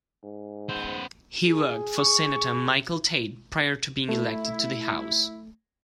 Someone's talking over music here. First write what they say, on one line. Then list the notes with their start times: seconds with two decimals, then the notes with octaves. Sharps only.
He worked for Senator Michael Tate prior to being elected to the House.
0.23 G#2
0.69 B3 C5
1.47 G#4
1.97 C#6
4.09 A3 E4